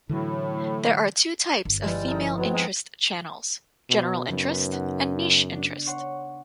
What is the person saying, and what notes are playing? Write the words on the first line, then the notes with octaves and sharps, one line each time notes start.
There are two types of female interest channels: "general interest" and "niche interest".
A2 D3 E3 F#3
G1
F3 G3 G#3 E4 B4
D#4 A4 A#4
C#5
F#3 B3 C4
G#3 D#4
B2
F#2 C#3 B3 D#4
F#5
D4
C#5 F#5 C6